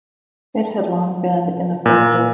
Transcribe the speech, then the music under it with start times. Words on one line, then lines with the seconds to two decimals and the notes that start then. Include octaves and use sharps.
It had long been ineffective.
1.86 A#2